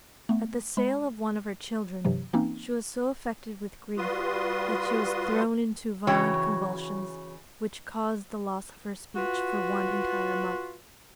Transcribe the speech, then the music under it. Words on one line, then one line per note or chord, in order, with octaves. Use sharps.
At the sale of one of her children she was so affected with grief that she was thrown into violent convulsions, which caused the loss of her speech for one entire month.
A3 B3
G#3 B5
G2 C3 E3 F#3
E3 A#3 C4 C#4 D#4
G3 F4 F#4 B4 C6 D#6
C#3 E3 F#4 C#5 G5
F4 F#4 B4